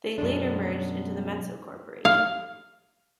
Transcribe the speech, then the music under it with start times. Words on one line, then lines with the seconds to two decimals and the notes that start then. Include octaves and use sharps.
They later merged into the Metso Corporation.
0.18 F#2 B2 G#3 D4
2.05 F5